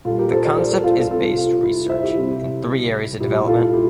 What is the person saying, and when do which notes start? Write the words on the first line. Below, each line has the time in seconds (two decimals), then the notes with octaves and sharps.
The concept is based research in three areas of development.
0.05 A#2 G3 F4 A4
0.18 G4 A#4
0.32 A4 C5
0.45 A#4 D5
0.58 A4 C5
0.71 A4 C5
0.84 F4 A4
0.97 F4 A4
1.11 C3 G3 F4 A4
1.37 F4
1.63 E4
1.89 C5 E5
2.03 E4 G4
2.16 C3 G3
3.20 A#2 G3 E4 G4
3.47 F4 A4
3.73 E4 G4